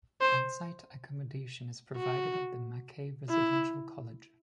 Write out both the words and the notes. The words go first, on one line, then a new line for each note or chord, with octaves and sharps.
On-site accommodation is provided at the Mackay Residential College.
C5
F#4
E4